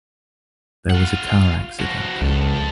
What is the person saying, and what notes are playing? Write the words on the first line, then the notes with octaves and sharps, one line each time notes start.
There was a car accident.
F4 F#5
F3 F#4
C#2 F3 A4